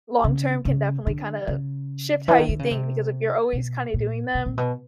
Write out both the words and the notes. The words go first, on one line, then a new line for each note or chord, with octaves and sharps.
long term can definitely kinda shift how you think because if you're always kinda doing them,
C#3
C#3
D3
C#3
E3
D#3
D3
C#3
C3
B2
A#2
B2
A#2
B2